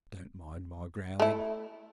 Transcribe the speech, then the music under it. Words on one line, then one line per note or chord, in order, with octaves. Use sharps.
Don't mind my growling.
A3 E4